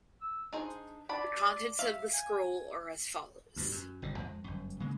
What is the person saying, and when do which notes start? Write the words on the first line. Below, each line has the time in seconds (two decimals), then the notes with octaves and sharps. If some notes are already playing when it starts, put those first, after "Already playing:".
The contents of the scroll are as follows.
0.21 E6
0.53 D4 D#4 G#4 C5
1.09 D4 D5 B5
1.79 E5 F5
2.13 G#5
3.56 D2 G2
3.71 F#2
4.02 G1 B2 D3
4.19 F2 G#3
4.44 G1 F#2
4.80 C#3 G#3 A#3